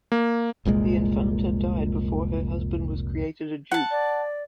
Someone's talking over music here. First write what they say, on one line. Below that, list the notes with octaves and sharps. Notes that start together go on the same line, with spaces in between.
The infanta died before her husband was created a duke.
A#3
F1 C2 A#2 G#3
F#5 A5
D5